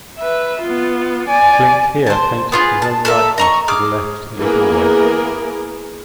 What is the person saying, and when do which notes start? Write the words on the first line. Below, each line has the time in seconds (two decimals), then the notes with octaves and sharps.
Flinck here painted his own likeness to the left in a doorway.
0.18 B4 E5
0.62 B3 F4
1.28 D5 G#5
2.06 C5 A5
2.52 B3 F4 G#4
2.82 A5
3.05 A4 A#4 E5
3.38 D#5 A#5 C#6
3.68 G#4 D6 F6
4.39 E3 A#3 B3 G#4 A#4